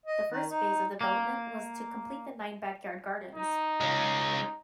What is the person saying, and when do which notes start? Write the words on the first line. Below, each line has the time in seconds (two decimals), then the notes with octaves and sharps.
The first phase of development was to complete the nine Backyard Gardens.
0.06 D#5
0.32 D#3
0.50 D#4
1.01 A#3
3.35 D#4
3.81 G#3 C#4